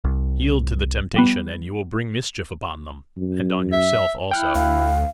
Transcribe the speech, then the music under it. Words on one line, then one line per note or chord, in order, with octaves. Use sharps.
"Yield to the temptation and you will bring mischief upon them--and on yourself also."
C2
F3 G3 B3
F#2
E5
E4 G5 F6 F#6
D2 F5